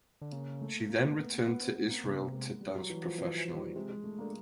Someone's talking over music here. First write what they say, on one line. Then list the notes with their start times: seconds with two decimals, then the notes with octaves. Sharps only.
She then returned to Israel to dance professionally.
0.22 D3
0.32 C#3 A#3
0.61 A3
0.90 A#3
1.04 B3
1.18 B3
1.32 B3
1.47 B3
1.61 C4
1.75 B3
1.90 A#3
2.04 C3
2.12 C#3
2.20 C3
2.32 G#3
2.61 G3
2.75 F#3
2.90 E3
3.04 F3
3.18 B2 E3
3.38 E3 F3
3.56 D#3 G3
3.75 C3 G#3
3.89 G#3
4.04 A3
4.19 D3 A#3